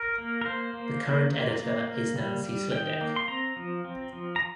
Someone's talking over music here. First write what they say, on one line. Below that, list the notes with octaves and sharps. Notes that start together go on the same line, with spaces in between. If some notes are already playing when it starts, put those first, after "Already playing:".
The current editor is Nancy Sladek.
Already playing: A#4
A#3
A#4
A#3 C5
A#3
A#3
A#3
A#3
A#3
G3
G3
D#3 G5
A#3
C6
C4 A#5
F3
C4
F3
A#5